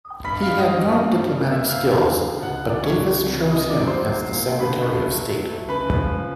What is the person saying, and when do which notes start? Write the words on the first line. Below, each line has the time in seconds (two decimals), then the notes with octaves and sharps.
He had no diplomatic skills but Davis chose him as the Secretary of State.
0.24 G2 B5 B6
0.42 F5 F6
0.51 G2
0.60 D#5 D#6
0.79 G2 D#5 D#6
1.06 G3
1.34 A#3
1.52 E5 E6
1.60 D2
1.69 F5 F6
1.88 D3
2.14 F3
2.42 C#2 F#5 F#6
2.70 E3 D5 D6
2.83 C#5 C#6
2.96 C#2
3.24 C3
3.51 E4 D#5 D#6
3.69 D5 D6
3.78 F#3
3.87 C5 C6
4.06 F#3
4.33 A#2
4.60 D3 B4 B5
4.87 A3
5.15 F#3
5.43 A3
5.69 C#3 B4 B5
5.96 F3